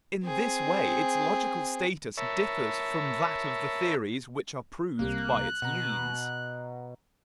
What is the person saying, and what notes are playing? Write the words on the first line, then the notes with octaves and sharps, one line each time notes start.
In this way its logical status differs from that of the theories which are proved by its means.
C4 G#4
A#4 C#5 E5 A5 B5
C2 C3 G3 A#3 F#6
B2 F#5 A#5